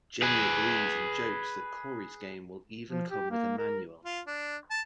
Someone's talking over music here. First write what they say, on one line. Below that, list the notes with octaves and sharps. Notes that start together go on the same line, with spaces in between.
Jenny agrees and jokes that Corey's game will even come with a manual.
G#4 B4
F3
G4
A#3
A#4
F4
D4
A5